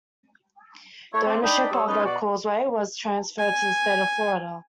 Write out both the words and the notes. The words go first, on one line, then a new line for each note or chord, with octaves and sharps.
The ownership of the causeway was transferred to the state of Florida.
A3 E4 C#5
C4 D4
D4 D#4 G5 B5
G3 C#5 C6 D#6 E6
C#4 D#4 F4 B4
B2 F#4 D5
G#5